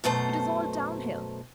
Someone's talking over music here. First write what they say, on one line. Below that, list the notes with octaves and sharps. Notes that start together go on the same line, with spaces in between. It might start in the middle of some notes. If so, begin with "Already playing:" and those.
It is all down hill.
F#2 B2 A3 C5